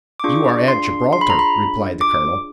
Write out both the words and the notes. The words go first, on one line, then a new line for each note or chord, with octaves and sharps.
"You are at Gibraltar," replied the colonel.
D6
D4 F4 G#4 C#6
C6
C6
B5
A#5
B5
D6